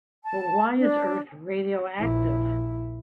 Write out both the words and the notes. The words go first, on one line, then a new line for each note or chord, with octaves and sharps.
But why is Earth radioactive?
A5
D4
A#1 E4